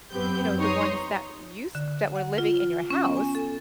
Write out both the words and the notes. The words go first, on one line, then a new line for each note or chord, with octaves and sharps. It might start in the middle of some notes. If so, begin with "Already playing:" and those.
you know, the ones that used that were living in your house,
F#2 B3 C4 G4 B4 G6
D#4 C#5 A#5 C6 D#6
D3
D3
F#5
F4
F6
C#4
B3
G#5
A4